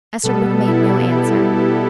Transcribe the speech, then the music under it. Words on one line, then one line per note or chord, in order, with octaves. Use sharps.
Esterbrook made no answer.
B2 G3 B3 A4
E4
G4
A4